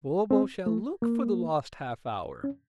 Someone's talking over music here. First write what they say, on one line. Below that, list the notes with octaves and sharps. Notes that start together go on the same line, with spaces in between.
"Bobo shall look for the lost half-hour."
C4
A3
A#3
C#4